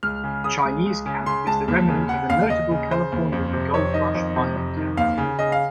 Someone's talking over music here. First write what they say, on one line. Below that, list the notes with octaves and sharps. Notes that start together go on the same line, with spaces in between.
Chinese Camp is the remnant of a notable California Gold Rush mining town.
C#2 F6
C#3
C#3 D#6
C#2
C#2
C#3
C#3 C6
C#2 A5
D#2
C#3
C#3 F#5
D#2 F5
D#2 D#5
C#3
C#3 C5
D#2
F2
C3
F2 C#5
D#3 D#5
F2
C3
F2
D#3
D#2 F5
C#3
C#3 D#5
F5